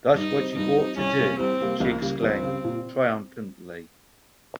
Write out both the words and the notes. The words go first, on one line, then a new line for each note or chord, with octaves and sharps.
"That's what you ought to do," she exclaimed triumphantly.
G2 D#4
G3 C4
G2 D#4
G3 C4
C2 C#4
C3 G3 A#3
C2 C4
C3 G3 A#3
C#2 A#3
C#3 G3
C#2 C4
C#3 G3
A#2